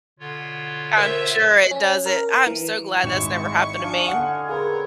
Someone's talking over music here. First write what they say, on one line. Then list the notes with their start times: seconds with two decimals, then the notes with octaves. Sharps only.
I'm sure it doesn't. I am so glad that's never happened to me.
0.19 B2 D3 F4 C#5
0.97 A#4 C5 E5
1.71 C#4
2.06 A#4
2.47 E3
3.03 G#1 G#3 E4 C#6 E7
3.79 D4 D#5 F5 G#5
4.08 D3 F#5
4.49 C4 G#4 A#4 B4 C#5